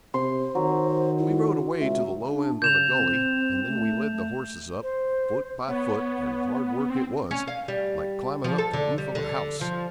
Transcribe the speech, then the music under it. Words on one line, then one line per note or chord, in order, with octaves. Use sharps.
We rode away to the low end of the gully, and then we led the horses up, foot by foot, and hard work it was--like climbing up the roof of a house.
C3 C5 C6
D#3 F#3
E4
C#2 E5
D4
C#3 G6 E7 F7
C4
A3
C5
B3 C#5
C4
C#4
F5
G3
F3
A4
D3
G3
D3
F3